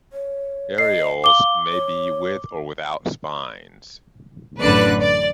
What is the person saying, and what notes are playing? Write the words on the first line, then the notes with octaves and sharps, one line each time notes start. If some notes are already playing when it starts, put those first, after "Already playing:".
Areoles may be with or without spines.
C#5
D#5 C7
F5 D6 G7
C#5
A1 F#2 D3 B4 D5 F#6
D5